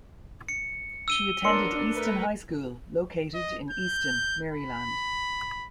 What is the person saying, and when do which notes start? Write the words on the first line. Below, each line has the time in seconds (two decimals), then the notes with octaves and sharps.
She attended Easton High School, located in Easton, Maryland.
0.49 C#7
1.08 E6 D#7 G7
1.44 B3 D4 A#4 C#5 C6 E6 C#7
1.91 A3 A#4 B4
3.34 D#5
3.70 G6
4.52 B5